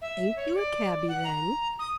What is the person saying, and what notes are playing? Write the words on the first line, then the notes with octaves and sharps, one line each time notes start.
"Ain't you a cabby, then?"
E5
C#5
D5
F#5
A#5
D#6